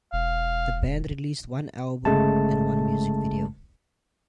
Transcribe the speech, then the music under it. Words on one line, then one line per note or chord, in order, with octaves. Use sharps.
The band released one album and one music video.
E1 F5
G1 C#3 G#3 A3 A5